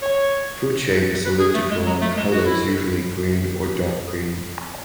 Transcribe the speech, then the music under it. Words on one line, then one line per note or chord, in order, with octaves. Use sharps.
Fruit shape is elliptical and color is usually green or dark green.
C#5
B4
G#4
A3
G#3
F#3
A3
G#3
F#4
E4